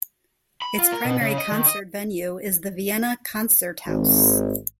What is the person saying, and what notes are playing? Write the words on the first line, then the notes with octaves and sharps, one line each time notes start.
Its primary concert venue is the Vienna Konzerthaus.
B5
F4
A#4
B2
C#3
D#5
D#3
D#5
G#1